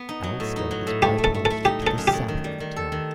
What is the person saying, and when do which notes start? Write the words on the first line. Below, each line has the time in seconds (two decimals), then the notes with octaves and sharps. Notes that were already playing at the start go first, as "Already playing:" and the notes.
Alcester is bypassed to the south of the town.
Already playing: B3
0.09 D#4
0.23 F#3
0.40 A2
0.56 D#4
0.71 F#3
0.87 A2
1.02 A3 G4
1.18 A3
1.24 A4
1.34 A3
1.45 A3 A4
1.65 D#4 G4
1.82 F#3 A4
1.98 F#2
2.07 G4
2.13 F#2
2.28 D#3
2.44 G3
2.60 D#3
2.76 A4
2.92 D#3